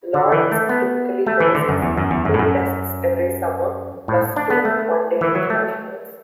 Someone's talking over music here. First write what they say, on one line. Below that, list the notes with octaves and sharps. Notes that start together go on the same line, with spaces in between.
Lord's typically hosts two Tests every summer plus two one-day internationals.
D3
E3
A3
B3
A3
E3
D3
F#2
E2
F#2
E2
F#2
A2
F#2
A2
D4
B3
A3
E3
F#3
A3